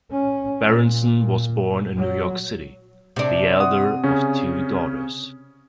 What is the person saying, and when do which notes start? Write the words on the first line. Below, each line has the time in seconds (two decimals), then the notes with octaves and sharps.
Berenson was born in New York City, the elder of two daughters.
0.11 C#4
0.68 A#2
1.98 F#3
3.16 C3 D4
3.60 F#5 D#6
4.04 C#3 C#4